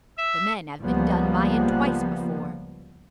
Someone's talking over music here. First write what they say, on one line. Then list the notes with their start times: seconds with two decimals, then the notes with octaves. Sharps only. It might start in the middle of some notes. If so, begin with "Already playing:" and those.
The men have been done by it twice before.
0.17 E5
0.83 C#2 F3 G3 A#3 B3